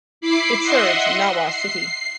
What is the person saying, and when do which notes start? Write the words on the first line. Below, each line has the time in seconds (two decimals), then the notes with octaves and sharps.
It serves Nawa City.
0.21 E4 B5 D6 C7
0.61 D#5 E5 F#5 C6
1.45 C7